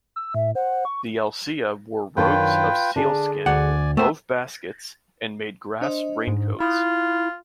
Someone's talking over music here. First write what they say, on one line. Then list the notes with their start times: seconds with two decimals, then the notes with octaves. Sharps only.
The Alsea wore robes of seal skin, wove baskets and made grass raincoats.
0.16 E6
0.34 A2 E5
0.55 C5 F#5
0.85 C#6
2.17 F#2 D#3 D4 F4 B4 G5
2.96 D3 D4 G#4
3.46 D2 D5 F#5 G#5
3.97 A3 B3 C4 C5 E5
5.81 D4 C5 D#5
6.27 G#2
6.60 E4 F4 B5 D#6 F#6